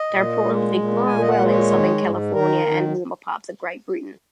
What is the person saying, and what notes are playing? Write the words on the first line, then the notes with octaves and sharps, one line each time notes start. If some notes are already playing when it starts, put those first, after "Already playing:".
They reportedly grow well in Southern California and warmer parts of Great Britain.
Already playing: D#5
A#2
G#3
A#2
A#2 G#5
D#5
F#5
G#3
C#5
D#3
G#2
D#3 A#4
D#3